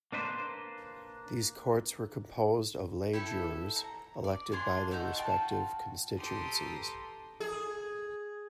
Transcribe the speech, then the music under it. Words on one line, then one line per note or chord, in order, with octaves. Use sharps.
These courts were composed of lay jurors elected by their respective constituencies.
A#3 D4 B4 C5
E4 G4 A4
A#5
D5
D4 F4 G#4 C6
A3 D#4 F#5 G6
F4 F#4 G5 A5
G4 A4 B4 A#5 C6 D#6
G#4